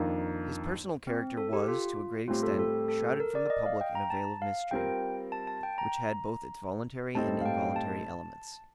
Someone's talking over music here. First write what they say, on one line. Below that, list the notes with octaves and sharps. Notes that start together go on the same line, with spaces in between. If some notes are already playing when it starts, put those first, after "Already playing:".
His personal character was, to a great extent, shrouded from the public in a veil of mystery, which had both its voluntary and involuntary elements.
Already playing: F2 D#3 A#3 D4 D#4 F4
C4
A4
G4
F4
A2 G3 C4 F4 G4
A4
A4
A4
A#4
D5
D#5
F5
G5
A#5
A5
F5
G3 C4 F4 A#4 G5
A5
A5
G5
A#5
A2 G3 C4 D#4 A4 A5
F5
G5
A5